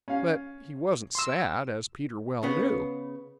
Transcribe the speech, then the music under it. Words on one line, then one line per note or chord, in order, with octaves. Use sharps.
But he wasn't sad, as Peter well knew.
C#4 F5
C6 E6
C#3 B3